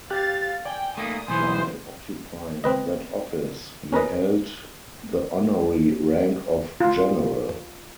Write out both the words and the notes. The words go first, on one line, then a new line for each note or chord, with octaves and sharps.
While occupying that office, he held the honorary rank of general.
G4 F5 F#6 A6
D5 G5 G#5
A3 A#3 D#4 D#6
B1 E3 C5 G#5
C4 B4 D#5
C#4 A#4 B4 D#5
F4